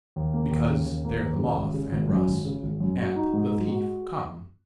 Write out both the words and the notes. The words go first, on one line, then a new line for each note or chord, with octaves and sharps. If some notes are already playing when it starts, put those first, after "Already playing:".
"Because there the moth and rust and the thief come."
D#2
A#3
D#2
C#3
D#2
A#3
D#2
C#3
G#1
C#3
G#1
F#2
G#1
C#3
G#1
F#2
F#4
D#4
G#2
G#3
F#4